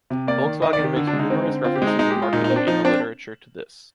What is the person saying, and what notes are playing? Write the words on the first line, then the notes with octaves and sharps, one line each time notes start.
Volkswagen makes numerous references in marketing in the literature to this.
C3
A#3 D5
D#3
D#3 D#5
D5
D#3
G4
D3
D4
G#3
D#4
C4
D3
C4 F4
G4
G#3
D#4
G#3 D#4
G4
G#3
F4
A#2 D#4
D#4
C4
D4
F3 D#4
C4 D4